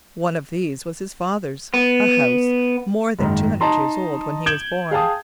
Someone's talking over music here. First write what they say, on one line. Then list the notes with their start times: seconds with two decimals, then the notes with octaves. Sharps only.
One of these was his father's, a house more than two hundred years old when he was born.
1.74 B3
3.18 F#1 G#2 D#3
3.61 D#4 A5 A#5 C6
4.46 G6 G#6 D7 E7 F#7 G7
4.91 G#4 F5 G5 A5 D#6